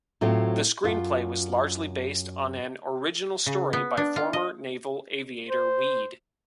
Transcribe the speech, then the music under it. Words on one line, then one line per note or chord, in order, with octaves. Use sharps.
The screenplay was largely based on an original story by former naval aviator Wead.
A2 F#3 A3 C4 F4
F#2 F4
C#3
B3
D4
F4
D#5
C5